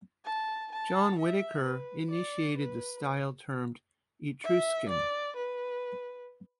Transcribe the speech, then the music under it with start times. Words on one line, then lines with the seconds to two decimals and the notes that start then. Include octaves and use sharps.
John Whitaker initiated the style termed Etruscan.
0.25 A5
0.72 A5
1.19 E5
1.64 B4
2.11 D5
2.58 B4
4.44 E5
4.90 D5
5.37 B4